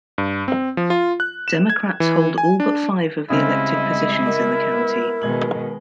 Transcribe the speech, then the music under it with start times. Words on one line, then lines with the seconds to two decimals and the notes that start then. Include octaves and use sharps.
Democrats hold all but five of the elected positions in the county.
0.18 G2
0.48 C4
0.77 F3
0.90 F4
1.20 F#6
1.48 E7
1.70 G#6
2.00 E3
2.38 G#5
2.60 D4
3.30 C#3 G3 G#3 C4 E4 D#5
4.25 A#4
4.77 B3
5.22 B2 D#3 G#3 G#6 F#7